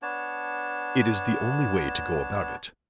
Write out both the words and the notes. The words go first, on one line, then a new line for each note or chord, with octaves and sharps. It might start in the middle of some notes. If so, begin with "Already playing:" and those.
It is the only way to go about it.
B3 D4 C#5 A5